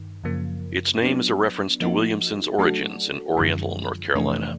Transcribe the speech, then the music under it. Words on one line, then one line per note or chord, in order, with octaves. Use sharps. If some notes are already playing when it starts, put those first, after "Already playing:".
Its name is a reference to Williamson's origins in Oriental, North Carolina.
Already playing: G2 D#3
F#2 C#3 F3 A#3
F#3 B3 D4
F3 A#3 D#4 F#4
F#3 A3 D4 F#4 A4
F#2 D3 F3 G#3
F2 C3 E3 A3 D4